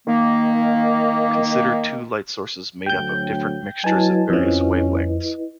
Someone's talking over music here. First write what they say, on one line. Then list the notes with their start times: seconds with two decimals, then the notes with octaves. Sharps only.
Consider two light sources made up of different mixtures of various wavelengths.
0.07 D#3 A#3
2.86 D2 F#3 G5 G6
3.84 F#3 E4 B4 D#5 G#5 A5
4.30 G1 F2 F3 C#4